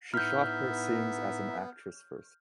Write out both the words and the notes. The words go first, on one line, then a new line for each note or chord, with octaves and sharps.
She shot her scenes as an actress first.
A2 B3 D#4 E4 E5 F6 G6